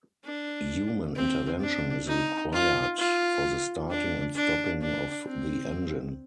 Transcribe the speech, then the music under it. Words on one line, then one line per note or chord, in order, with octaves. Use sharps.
Human intervention is required for the starting and stopping of the engine.
D4
C4
D4
D#4
F4
F4
D4
D4
D4
C4